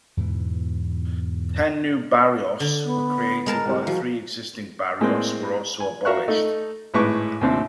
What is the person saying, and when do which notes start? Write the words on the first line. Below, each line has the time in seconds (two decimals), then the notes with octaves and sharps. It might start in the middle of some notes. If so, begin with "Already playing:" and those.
Ten new barrios were created while three existing barrios were also abolished.
0.17 E2 G#2 B2 E3
2.60 D3
2.84 B3
3.46 G#3 A#4 A5
3.65 C2 C3 G3
3.87 F3 F#4
5.00 A2 G#3 A#3 C4
5.80 G#5
6.05 F#4 A#4 E5 F5 C#6 F#6
6.28 A3 D#4 A4
6.94 G#1 A2 G#3 B4 C#6 D6
7.41 D#2 A2 C3 C4 D4